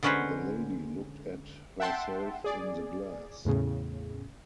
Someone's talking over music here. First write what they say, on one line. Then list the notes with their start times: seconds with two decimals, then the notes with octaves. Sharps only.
The lady looked at herself in the glass.
0.03 D3 G#3 C#4 F#4 B4 C5
1.80 E5 F#5 G5 A5 C6
2.44 G#4 D5
3.45 E2 A2 C#3